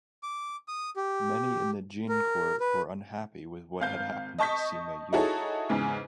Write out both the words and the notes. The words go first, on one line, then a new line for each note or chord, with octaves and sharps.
Many in the Jin court were unhappy with what had happened to Sima Yu.
D6
D#6
G4
A#4
B4
G#1 F5 G6
D#5 A5 C#6 G6 B6
D#4 E4 F#4 G#4 A4 C#5
E2 G#2 C#3